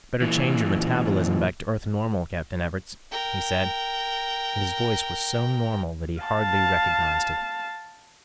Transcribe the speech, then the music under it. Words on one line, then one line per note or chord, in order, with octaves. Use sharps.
"Better change your metabolism back to Earth-normal, Captain Everts," he said, and his voice was so normal that he hardly recognized it.
A#2 E3
A#4 G5
F5 A5